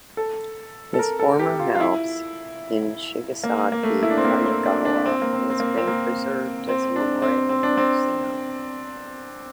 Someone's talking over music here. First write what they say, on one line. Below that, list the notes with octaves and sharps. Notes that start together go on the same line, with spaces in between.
His former house in Chigasaki, Kanagawa has been preserved as a memorial museum.
A4
A4
A#4
A4
G4
F4
F4
E4
A#3
A#3
A3
E4
D4
C4
A#3
C4
D4
D4
C4
A#3
C4
C4
A#3
C4
A#3
C4
D4
C4
C4
D4
C4